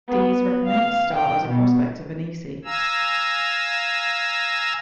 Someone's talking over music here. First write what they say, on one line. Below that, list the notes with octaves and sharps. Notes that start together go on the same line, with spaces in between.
Dees recommended Starr as a prospect to Vainisi.
B3
F5
G5
B2
F5 G#5 A#5 E6